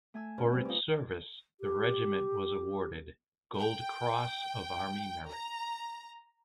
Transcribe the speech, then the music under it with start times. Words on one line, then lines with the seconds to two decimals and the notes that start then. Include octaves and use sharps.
For its service the regiment was awarded Gold Cross of Army Merit.
0.14 A3 G#5 E6
0.38 C#3 B4 D5
0.52 G3 C4
0.65 F3 C#4 D#4 D6
1.61 G4
3.60 G5
5.29 A#5